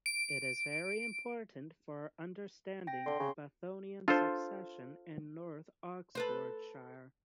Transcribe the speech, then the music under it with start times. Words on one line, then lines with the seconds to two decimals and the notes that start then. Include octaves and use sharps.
It is very important for understanding the Bathonian succession in north Oxfordshire.
0.06 D7
2.87 G5 A#6
3.06 D3 C6
3.20 C#3
4.08 D4 F4 A4 C5
6.15 A4 B4 C5